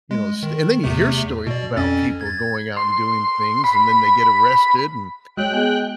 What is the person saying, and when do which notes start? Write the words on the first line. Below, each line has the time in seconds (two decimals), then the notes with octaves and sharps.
you know, st" and then you hear stories about people going out and doing things, and then they get arrested and,
0.11 G#3
0.43 D#3
0.84 E2 C3 A3
1.47 B2 D5
1.77 F2 C#4 A6
2.21 G#6 A6
2.77 C6
3.64 B5
5.37 G#3 F#4 C#5 G5 F#6
5.53 B3 G#4